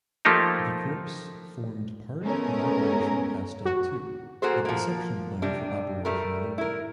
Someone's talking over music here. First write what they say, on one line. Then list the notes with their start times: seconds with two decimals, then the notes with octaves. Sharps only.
The Corps formed part of Operation Pastel Two, the deception plan for Operation Olympic.
0.25 F3 A3 A#3 D#4 G4
2.23 G#3 A3 B3 C#4 A#4
3.65 F#4
4.42 A#3 F#4 G#4 A4 C5
4.65 F3 A#3
5.42 C3 G3 D4
6.05 G3 A3 A#4
6.58 E4 A#4